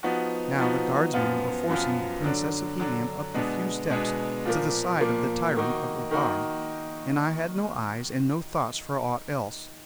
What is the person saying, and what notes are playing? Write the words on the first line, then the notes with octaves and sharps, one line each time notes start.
Now the guardsmen were forcing the Princess of Helium up the few steps to the side of the tyrant of Okar, and I had no eyes and no thoughts for aught else.
F3 B3 D#4 F#4
F3 B3 D#4 F#4
F#2 F3 B3 F4
F#2 F3 B3 F4
D3 F#3 D4
D3 F#3 D4
B2 G#3 B3 D4
B2 G#3 B3 D4
A#2 F3 A#3
A#2 F3 A#3
D#3 A#3 D#4 F#4
D#3 A#3 D#4 F#4